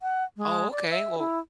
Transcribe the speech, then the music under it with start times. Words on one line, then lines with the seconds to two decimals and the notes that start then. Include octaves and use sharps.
Oh, okay. Well
0.02 F#5
0.37 G#3
0.71 D5
0.89 E5
1.18 E4